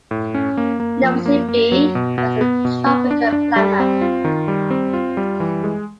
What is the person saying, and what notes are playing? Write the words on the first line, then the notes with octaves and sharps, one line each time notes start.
Nosy Be has a tropical climate.
A2
C#4
A#3
A#3
F3
A#3
A#3
F#3
B2
B2
B3
B2
B3
D4
D4
G3
C4
F4
D#3
G3
C4
F4
G3
E3
G#3